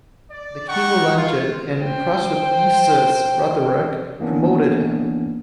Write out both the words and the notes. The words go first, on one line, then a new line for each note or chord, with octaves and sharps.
The king relented and, impressed with Li Si's rhetoric, promoted him.
D5
G3 D#4 F#5 G5 C#6
F4
C5 G5
E3 A#3 B3 C#4 D4